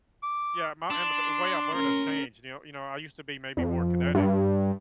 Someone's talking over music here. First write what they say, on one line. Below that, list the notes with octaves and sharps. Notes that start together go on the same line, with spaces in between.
Yeah, my and m the way I've learned has changed, you know you know, I used to be maybe more kinetic
D6
D4 C6
C#4 A#4
F2
G2